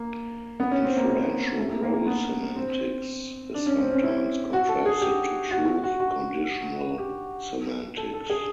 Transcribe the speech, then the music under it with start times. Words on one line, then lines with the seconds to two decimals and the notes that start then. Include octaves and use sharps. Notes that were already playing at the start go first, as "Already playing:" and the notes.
Inferential role semantics is sometimes contrasted to truth-conditional semantics.
Already playing: A#3
0.60 B3
0.71 C#4
0.84 C4
0.97 A#3
1.09 A#3
1.57 A3
1.69 A#3
1.83 A#3
1.94 A#3
2.07 B3
2.56 C4
3.54 D4
3.66 C#4
3.79 C4
3.91 C#4
4.03 E4
4.53 F#4
4.69 A4
4.86 G#4
5.01 G4
5.51 F#4
5.84 F#4
6.00 F#4
6.98 G4
7.97 A4
8.13 A4
8.30 G#4